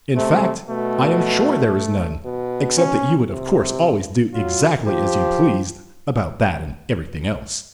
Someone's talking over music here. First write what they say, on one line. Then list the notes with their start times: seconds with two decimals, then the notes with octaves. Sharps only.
"In fact, I am sure there is none, except that you would of course always do exactly as you pleased about that and everything else."
0.16 C3 A3
0.69 B2 A3
2.25 B2
2.77 C#4
3.29 C3
4.33 F#3 F4
4.86 F3 G4